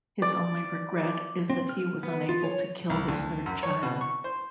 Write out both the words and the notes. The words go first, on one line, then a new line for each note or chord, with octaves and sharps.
His only regret is that he was unable to kill his third child.
D5
C4
F6
B3
F4
C#5
C2
D2
F#2
C#5
B2
C#6
C5